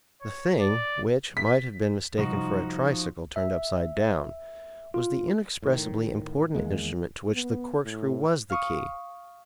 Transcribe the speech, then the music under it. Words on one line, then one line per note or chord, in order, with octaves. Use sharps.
The thing which might have been mistaken for a tricycle turned upside-down was the inexpressibly important instrument to which the corkscrew was the key.
C#5
D5
B6
C3 F3 G3 G#3 D#4 F#4
E5
F4
A2 D#3
E2 D#3 G#3 A#3
B3
A2
F5 C#6 D#6